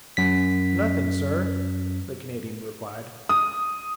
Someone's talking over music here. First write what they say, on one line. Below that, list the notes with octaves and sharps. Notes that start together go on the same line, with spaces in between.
"Nothing, sir," the Canadian replied.
F#2 B6
D#6